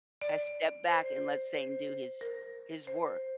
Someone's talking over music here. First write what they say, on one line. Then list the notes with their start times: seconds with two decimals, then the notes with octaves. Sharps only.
has stepped back and let Satan do his his work,
0.21 D5
0.88 C5
1.54 C5
2.21 A#4
2.87 C5